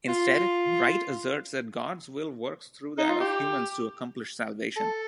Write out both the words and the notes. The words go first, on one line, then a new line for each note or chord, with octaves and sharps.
Instead, Wright asserts that God's will works through that of humans to accomplish salvation.
F4
D#4
F4
G4
A4